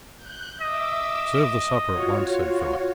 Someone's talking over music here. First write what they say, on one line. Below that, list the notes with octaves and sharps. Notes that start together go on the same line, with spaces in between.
"Serve the supper at once," said Philip.
F#6 G6
D#5 E5 D6 E6
F4 F#4 C#5